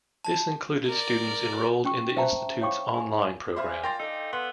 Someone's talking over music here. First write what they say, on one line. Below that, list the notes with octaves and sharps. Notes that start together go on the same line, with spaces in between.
This included students enrolled in the institute's online program.
A5
A#4 D5
C#4 G5 C#6
C5 E5 G5 A5 A#5
C#5 F5 G5 C#6 D6
G#5
C5 D5 E5 F5 G#5 B5
A#4 G5 C6 A6
D#4 A4
B3 C6